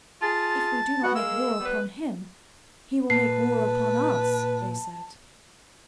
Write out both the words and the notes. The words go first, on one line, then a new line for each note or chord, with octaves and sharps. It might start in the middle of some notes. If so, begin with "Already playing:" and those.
"If we do not make war upon him, he will make war upon us," they said.
F4 G#4 A5
B3 F#4 F#5
G#3 A#3 A#4 E6
G3 B3 B4
A#2 B4 A5 C7